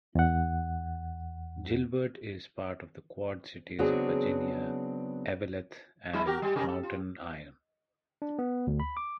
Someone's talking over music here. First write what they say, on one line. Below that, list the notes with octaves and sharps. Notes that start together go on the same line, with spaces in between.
Gilbert is part of the Quad Cities of Virginia, Eveleth, and Mountain Iron.
E2 F#5
C#3 F#3 B3 C4 D4 G#4
F#3 G#3 E4
F#4 G4 A#4
G#2 G3
C3 G4 A#4
A4
F4
D4
B3
D2
B5
D6